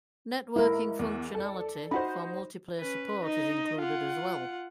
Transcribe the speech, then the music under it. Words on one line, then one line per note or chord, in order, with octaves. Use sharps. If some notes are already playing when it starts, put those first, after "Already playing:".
Networking functionality for multiplayer support is included as well.
G#2 E4 A#4
E2
A4 D5
D#4 F#4 C5 B5
C#4 B4
D#4 D#5
F4 F#5